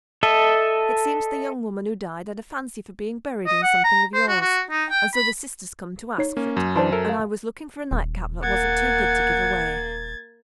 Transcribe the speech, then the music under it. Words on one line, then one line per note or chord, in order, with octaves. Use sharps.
It seems, the young woman who died had a fancy for being buried in something of yours, and so the sister's come to ask for it,--and I was looking for a night-cap that wasn't too good to give away.'
A4 D#5 E5
D#5
F#5
A#5
C5
F#4
F#4
D#4
G5
B5
D#4 C#5 C7
A#3 C#4
F#2
E3 D4 C5 A5 C6
A4 A#4 E5
F5
D#1
A#3 F#5 G#6 A6